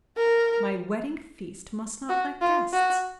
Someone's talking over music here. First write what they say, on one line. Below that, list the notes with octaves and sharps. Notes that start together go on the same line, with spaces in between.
My wedding feast must not lack guests.
A#4
F#4
F4
F#4